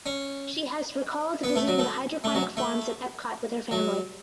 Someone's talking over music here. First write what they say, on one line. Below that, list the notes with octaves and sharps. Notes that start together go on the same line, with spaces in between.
She has recalled visiting the hydroponic farms at Epcot with her family.
C#4
B3
A3
F#3
A3
A3
F#3
A3
F#3